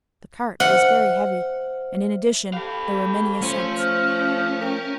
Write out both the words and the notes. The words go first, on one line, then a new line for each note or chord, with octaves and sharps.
The cart was very heavy, and in addition, there were many ascents.
C5 E5 F#5 F6
G4 A4 F5 B5
F3 A3 C#4 C5
F6
A#4 G5